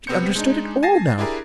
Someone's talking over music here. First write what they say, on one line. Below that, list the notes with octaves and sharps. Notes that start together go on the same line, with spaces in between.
She understood it all now.
C3 B3 C4 C5 G6 C#7
G#3 D4 D#4
G#5 A5 A6 A#6 C7
D4 E4 G4 G#4 A#4